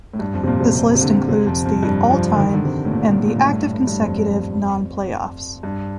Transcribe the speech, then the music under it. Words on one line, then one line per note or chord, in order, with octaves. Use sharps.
This list includes the all-time and the active consecutive non-playoffs.
A2
G2
F2
C3
A#2
C3
C3
C3
D3
C3
F2
F2
G2
F3
D3
D#3
D3
C3
A2
A#2
A#2
A#2
A2
G2
A2
A2
G2
F2
G2